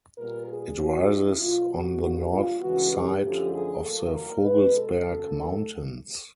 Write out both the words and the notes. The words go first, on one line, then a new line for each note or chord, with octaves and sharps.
It rises on the north side of the Vogelsberg Mountains.
A#2 G3 B3 A#4
G#4
E2 C3 E3 F#4
E4
B2 F#3 A#3 F4
F#4
F2 D3 G3 A#3 F#4
F4
D2 C#3 E3 G#3 B3 F#4
G4
F#2 D3 F3 A3
G#4
A2 F#3 A#3 A4
A#4
B2 G#3 B3 B4
A4
D2 C#3 F#3 A#3